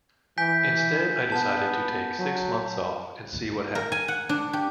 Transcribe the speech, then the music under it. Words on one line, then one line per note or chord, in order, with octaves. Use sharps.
Instead I decided to take six months off and see what happened.
E3 G#5 G6 B6
B3 A5
F#3
A#4
G#5
F#5
D4
G4